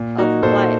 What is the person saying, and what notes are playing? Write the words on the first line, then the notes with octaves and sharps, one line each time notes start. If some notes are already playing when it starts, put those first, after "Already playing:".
of what
Already playing: A#2
A#3 D#4 F#4
A#2 A4 C5